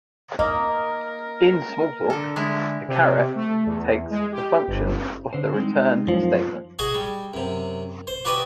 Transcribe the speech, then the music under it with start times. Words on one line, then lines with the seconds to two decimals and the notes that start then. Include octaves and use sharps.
In Smalltalk, the caret takes the function of the return statement.
0.39 A#3 A#4 D#5
2.10 D3 A4
2.36 D3 G#3 E4
2.88 C3
3.35 A3
3.66 E2
4.11 G#3
4.32 G4
4.68 G1
5.33 D3 C5
5.54 G#3 C4 D#4
6.07 F#2 F3
6.79 F#4 G#4 D#5 F#5 G#5
6.94 G3
7.34 F#2 C3
8.07 C5
8.25 F#4 G4 B4 D5 D#5 G#5